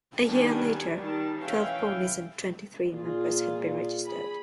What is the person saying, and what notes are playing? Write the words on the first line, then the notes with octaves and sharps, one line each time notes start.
A year later, twelve ponies and twenty-three members had been registered.
D#3 G3 B3 D4 G#5
D#3 G3 A5
E3 C#4 E4 E5 F5 G5
A#2 F4 G#4
G#4 B5